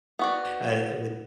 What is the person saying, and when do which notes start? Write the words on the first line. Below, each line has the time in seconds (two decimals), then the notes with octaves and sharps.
uh, with
0.19 B3 F#4 D5